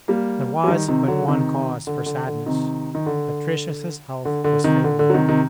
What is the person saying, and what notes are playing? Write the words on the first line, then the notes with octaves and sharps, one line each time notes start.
There was but one cause for sadness--Patricius's health was failing.
G3 A#3
F#3
D#3 G3
C3 D#3
D3 F#3
C3 D#3
D3
D3
D3
C3 D#3
D#3
D3
D3
D3
C3 D#3
D3
D3
F#3
C3 D#3
C3 D#3